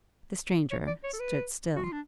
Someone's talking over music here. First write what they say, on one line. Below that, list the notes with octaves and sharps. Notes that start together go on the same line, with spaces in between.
The stranger stood still.
C#5
D5
C#5
A4
B4
F#4
F4
D4